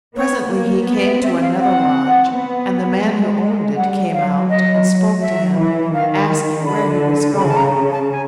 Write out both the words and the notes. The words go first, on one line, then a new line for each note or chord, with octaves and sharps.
Presently he came to another lodge, and the man who owned it came out and spoke to him, asking where he was going.
B3 C#5
A#3
B3
E5
C4 E5
F5
F#5
B3
G#3
G3 F#5
F#3 F5
D#5
F#3 E5
E3
D#3 F5
D3 B5
C#3 B5
A5
A#5
A5
G#5